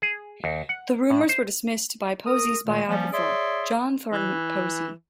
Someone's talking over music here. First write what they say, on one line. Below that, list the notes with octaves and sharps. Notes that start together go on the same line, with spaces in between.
The rumors were dismissed by Posey's biographer, John Thornton Posey.
G#4
D#2
F#5
A2
C5
A#4 D#6
A#2 D#3 A3
F3 G3 A#3 C#4
G#4 C#5 D5 E5 C6
E3